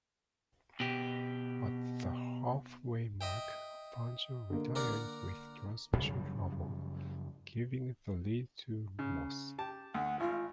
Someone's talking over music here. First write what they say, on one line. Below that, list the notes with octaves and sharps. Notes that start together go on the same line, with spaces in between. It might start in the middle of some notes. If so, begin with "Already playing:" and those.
At the halfway mark, Fangio retired with transmission trouble, giving the lead to Moss.
B2 G4
D#5 E5 G5
D3 A#3
A#4 D5 F#5
F#2 C#3 F3 G3
C#3
G4 A5
D2 F#5
G#1 F4